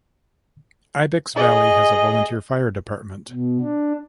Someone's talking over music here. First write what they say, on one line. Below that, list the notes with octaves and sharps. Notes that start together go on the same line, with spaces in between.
Ibex Valley has a volunteer fire department.
G#4 D#5
B2
D4